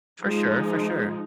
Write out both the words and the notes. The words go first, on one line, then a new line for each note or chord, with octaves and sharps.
For sure, for sure.
F3 G#3 D#4